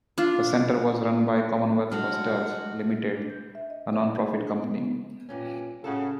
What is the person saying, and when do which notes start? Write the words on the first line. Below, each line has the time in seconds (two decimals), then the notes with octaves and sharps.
The centre was run by Commonwealth Hostels Limited, a non-profit company.
0.18 D4 F4
1.92 F#3 G#3 D4 F#4 F6
3.17 D4
3.30 G6
3.55 E5
3.70 D#5
3.93 C5
4.19 G#4
4.34 D4
4.58 B3
4.79 B3
5.29 G2 A#2 C#4
5.84 A2 C#3 F#4 A4